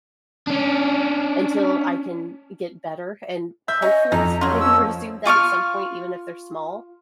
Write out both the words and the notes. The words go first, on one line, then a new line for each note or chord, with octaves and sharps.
until I can get better and hopefully s maybe resume that at some point, even if they're small.
C#4 D4
E5 G6
C#4 D#5
F2 C#4 D#4 E4 A#5
F#3 C#4 F4 F#4
F3 E6
F4 C#6 D6 F6